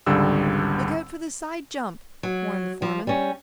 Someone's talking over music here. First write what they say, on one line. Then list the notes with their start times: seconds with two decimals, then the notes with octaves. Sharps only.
"Look out for the side jump!" warned the foreman.
0.06 G#1 C#2 D3 G3 E6
2.23 F#3
2.82 F3
3.07 G3 C#4